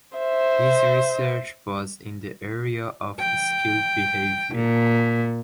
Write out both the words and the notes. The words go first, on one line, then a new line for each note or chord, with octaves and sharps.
His research was in the area of skilled behaviour.
C5 E5
G5
A#2